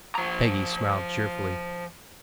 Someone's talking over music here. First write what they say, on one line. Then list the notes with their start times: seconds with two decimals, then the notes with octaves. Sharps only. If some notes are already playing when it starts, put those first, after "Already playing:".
Peggy smiled cheerfully.
0.15 F3 A#5